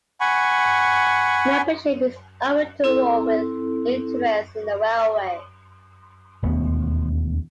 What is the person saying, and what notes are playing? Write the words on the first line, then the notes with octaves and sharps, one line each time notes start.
Membership is open to all with an interest in the railway.
F#5 G#5 B5 C#6
C4 E4 A4
E1 D#2 A3 B3